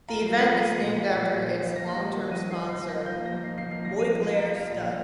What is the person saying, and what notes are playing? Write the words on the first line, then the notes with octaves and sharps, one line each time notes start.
The event is named after its long-term sponsor, Moyglare Stud.
F4 A#5
F3
C7
A#3
F3 C7
A#3 D#7
A#2
F3
A#2
F3 C7
D#4
D#4
F3
A#3 A#6
D#4
G3
D#3
F3 D#7
D#4
C7
D#4
F3 C7
F4 A#6
F3 G6
A#3
F3 A#6
D#4 C7
F3 C7
A#3 C7
F3 A#6
F3 D#7
D#4
D#4
F3 A#5
D#4 F5
A#2
F3